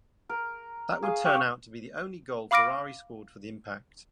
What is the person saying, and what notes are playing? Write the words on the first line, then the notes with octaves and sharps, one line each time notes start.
That would turn out to be the only goal Ferrari scored for the Impact.
A#4
G#4 F5 D#6
G4 C#6
F5 B5 D6 F6 A#6 D7